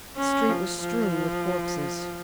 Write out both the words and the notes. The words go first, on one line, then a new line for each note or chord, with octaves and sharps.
The street was strewn with corpses.
C#4
F3
F3